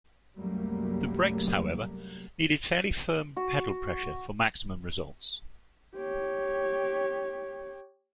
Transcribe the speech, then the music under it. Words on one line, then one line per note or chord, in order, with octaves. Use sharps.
The brakes, however, needed "fairly firm pedal pressure ... for maximum results".
C2 F#2 F#3 G3 A3 A#3
F#4
G4 C#5